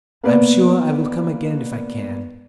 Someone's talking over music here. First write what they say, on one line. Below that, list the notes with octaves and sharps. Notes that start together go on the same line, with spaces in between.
"I'm sure I will come again if I can."
A#3 B3 B4 D5